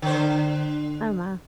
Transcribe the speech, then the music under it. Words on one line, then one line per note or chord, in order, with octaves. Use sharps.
Oh, my.
D3 C5